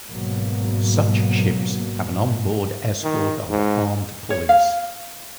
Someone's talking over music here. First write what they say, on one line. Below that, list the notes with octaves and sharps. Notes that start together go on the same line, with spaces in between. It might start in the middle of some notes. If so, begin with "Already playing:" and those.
Such ships have an onboard escort of armed police.
G#1 G#2 B2 F#3 A#3
D#3
G#2
C#5
F5